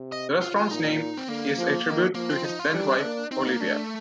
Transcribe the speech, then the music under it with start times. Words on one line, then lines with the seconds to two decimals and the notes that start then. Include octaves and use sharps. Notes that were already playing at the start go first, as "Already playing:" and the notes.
The restaurant's name is a tribute to his then-wife, Olivia.
Already playing: C3
0.12 D#5
0.41 F4
0.56 F4
0.71 A#2 D#4
1.17 C4
1.28 D3 A#3
1.58 F3
1.86 D#3
2.15 F3 A#3
2.30 C4
2.44 D#4
2.59 F4
2.74 G3 D4
3.03 A#3
3.31 C4 D#4
3.47 A#3
3.60 A3 D4